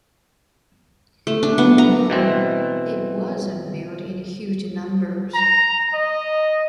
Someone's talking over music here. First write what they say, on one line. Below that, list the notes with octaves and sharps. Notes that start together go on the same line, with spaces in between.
And, no, it wasn't built in huge numbers.
A3
D4
B3
A#5
B2 E3 C4
A#5
D#5